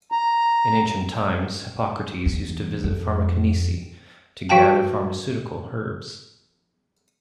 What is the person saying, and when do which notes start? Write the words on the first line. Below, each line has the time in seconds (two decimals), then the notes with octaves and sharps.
In ancient times, Hippocrates used to visit Farmakonisi to gather pharmaceutical herbs.
0.12 A#5
2.26 E2
2.84 F2
4.49 F3 F#4 F5 G5 A5